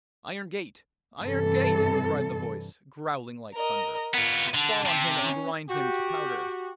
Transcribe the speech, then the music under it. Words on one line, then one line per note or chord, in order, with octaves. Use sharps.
'Iron gate, iron gate,' cried the voice, growling like thunder, 'fall on him and grind him to powder.'
G2 C3 E3 A4
A#4 D#5
B3 F4 C#7
D3 A5
C3
C#4
F#4 G4